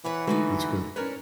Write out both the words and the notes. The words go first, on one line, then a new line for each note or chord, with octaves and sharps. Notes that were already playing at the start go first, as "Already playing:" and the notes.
That's good.
E3 B4 C#5 F#5
D3 G#3 A3 D#4 F#4 B4
C#4 E4 A#4 B4 C#5 D5